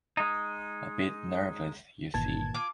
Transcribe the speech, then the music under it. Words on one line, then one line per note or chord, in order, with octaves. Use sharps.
A bit nervous, you see.
G#3 D#4
G1 A#2 D#3 E3 A5 G#6
F4 D6